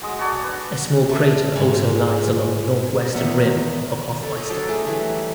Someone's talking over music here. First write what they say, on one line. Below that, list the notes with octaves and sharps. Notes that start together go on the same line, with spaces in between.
A small crater also lies along the northwestern rim of Hoffmeister.
F#3 G#3 D#6
F#4 A4 C#5 D5
D4 B4
A3
G#2
E2 D#3
A4 C#5
A4 D#5 A#5
F#3 D4 A4 G5
A3 G#4 G5
E3 F#3 G3 A3